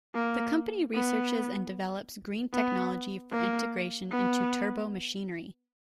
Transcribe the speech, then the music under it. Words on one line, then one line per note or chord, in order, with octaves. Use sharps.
The company researches and develops green technology for integration into turbomachinery.
A#3
B3
B3
A#3
B3